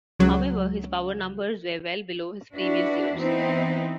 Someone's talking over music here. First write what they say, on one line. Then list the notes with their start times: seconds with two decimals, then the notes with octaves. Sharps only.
However, his power numbers were well below his previous years.
0.19 C#2 F#3
2.54 D4 E4 F#4 B4
3.15 E3 B3 C4 D#4 E4